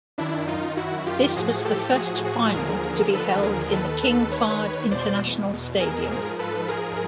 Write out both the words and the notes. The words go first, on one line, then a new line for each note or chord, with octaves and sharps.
This was the first final to be held in the King Fahd International Stadium.
F#2 D#3 D4 E4
D#4 F4
E4 F#4
F4 G4
A2 F3 F#4 G#4
G4 A4
F#4 G#4
F#4 G#4
D#2 D3 F3 G#4 A#4
A4 B4
G#4 A#4
D#2 D#3 A4 B4
A4 B4
B4 C#5
E2 B2 C5 D5
G#4 A#4
G#2 F3
A4 B4
G#4 A#4